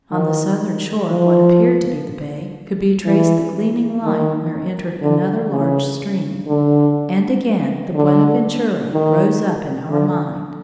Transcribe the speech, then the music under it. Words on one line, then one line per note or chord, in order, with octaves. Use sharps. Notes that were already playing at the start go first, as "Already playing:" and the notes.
On the southern shore of what appeared to be the bay, could be traced the gleaming line where entered another large stream; and again the Buenaventura rose up in our mind.
D#3
F3
E3
D#3
D3
C#3
D3
D3
D#3
D3